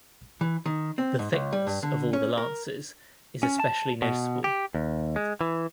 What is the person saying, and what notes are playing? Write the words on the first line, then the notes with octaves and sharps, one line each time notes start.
The thickness of all the lances is especially noticeable.
E3
D#3
C4
G#2
C#2
G3
G2
D3
C#4
A#4
C#4
A5
B2
G4
D#2
G#3
E3